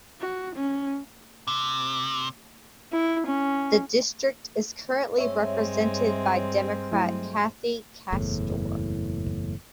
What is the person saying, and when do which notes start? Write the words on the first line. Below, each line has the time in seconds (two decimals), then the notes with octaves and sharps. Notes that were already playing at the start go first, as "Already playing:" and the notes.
The district is currently represented by Democrat Kathy Castor.
0.20 F#4
0.56 C#4
1.47 C3
2.92 E4
3.26 C#4
5.18 G2 G#3 C4 C#5 E5
6.92 F#3 A3 E4
8.13 F#1 E2 A2